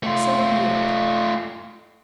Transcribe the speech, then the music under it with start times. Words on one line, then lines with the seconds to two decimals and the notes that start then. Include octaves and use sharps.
So be it!
0.03 A3 F4